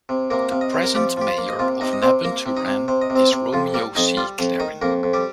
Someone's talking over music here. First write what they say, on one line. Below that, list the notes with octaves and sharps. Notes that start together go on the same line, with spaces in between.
The present Mayor of Nabunturan is Romeo C. Clarin.
C3
C3 A#3 A#4
C3 F5
D#5
C3 C5
A#4
F3 G3 G4
F3 G4
F4
A#3
D#5
C3 F4 F5
C3 D#4 D#5
D#5
C3 C4 C5
A#3 A#4
C3
D#4 D#5
C3
C3 C5
D#5
C3
C4 C5
C3
F2 F4
G3 A#3 A#4
F2 D#4 D#5
G3 F4 F5
F2
D#3 D#4 D#5
F2 A#3 A#4
F2
G3 G4